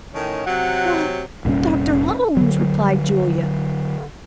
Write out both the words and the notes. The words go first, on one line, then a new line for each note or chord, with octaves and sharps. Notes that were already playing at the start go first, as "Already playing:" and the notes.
"Why, Dr. Holmes," replied Julia.
A2 D#3 C#4
C3 F#3 F#5
F1 A#2 G3 C#4
D3 F#3